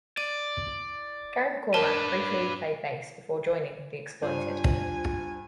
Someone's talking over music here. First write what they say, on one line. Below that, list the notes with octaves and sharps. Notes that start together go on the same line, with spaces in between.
Gary McCormack briefly played bass before joining The Exploited.
D5 D#7
D4 A#4 B4 A5
G2 D4 F4 C5 G#5